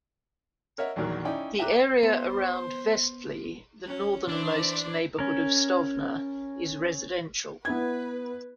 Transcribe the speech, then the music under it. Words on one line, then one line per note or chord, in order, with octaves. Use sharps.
The area around Vestli, the northernmost neighborhood of Stovner, is residential.
A#4 C#5 D#5 E5 F#5
A#1 E2 D#3 F#3 A#4
C#4 D#4 E4 D5 G5
E5 G5 A#5 D6 F#6
B3 C5
C#4
E3 D4 C5 D5
C#4 A#4
B3 E4 B4 G#6